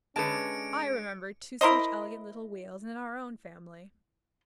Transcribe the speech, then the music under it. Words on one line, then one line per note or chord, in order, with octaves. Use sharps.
I remember two such elegant little wheels in our own family.
D3 G#3 C#4 B4 A5 C#7 D7
E4 A#4 C5 D#5